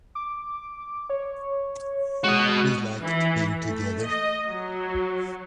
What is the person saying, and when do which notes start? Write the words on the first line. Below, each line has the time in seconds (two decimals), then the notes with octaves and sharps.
We liked being together.
0.15 D6
1.10 C#5
2.24 G#3 F#4 D#5
3.02 E3
3.64 A3
4.05 D#5
4.49 F#3